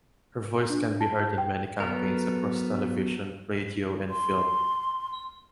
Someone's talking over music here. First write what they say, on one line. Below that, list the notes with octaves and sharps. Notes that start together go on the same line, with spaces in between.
Her voice can be heard on many campaigns across television, radio and film.
D4
A5
G6
G5
F#3 B3 A4 A#4
C6